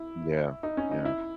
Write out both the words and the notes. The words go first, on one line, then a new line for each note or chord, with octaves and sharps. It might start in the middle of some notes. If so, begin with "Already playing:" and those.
Yeah. Yeah.
Already playing: E4
D#4
C#4
D#4
E4